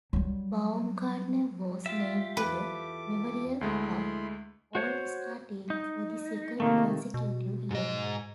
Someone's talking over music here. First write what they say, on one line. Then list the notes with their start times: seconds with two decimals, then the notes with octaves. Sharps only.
Baumgartner was named to the Memorial Cup All-Star Team for the second consecutive year.
0.13 F#3 G3
1.86 F4 G4 E5
2.37 E2 A4 B4 D6
3.61 D2 G#3 A3 E4 B5 C6
4.75 F#4 C5 C#5
5.70 D#4
6.60 C3 D#3 A3 A#3
7.14 B2
7.71 G#2 D#5